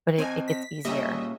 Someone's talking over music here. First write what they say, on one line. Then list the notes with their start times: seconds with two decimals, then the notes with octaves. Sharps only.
but it it gets easier.
0.18 C4 C5 D#5 G#5
0.48 B6
0.85 A#2 G3 C#4 G#4 D#5 E5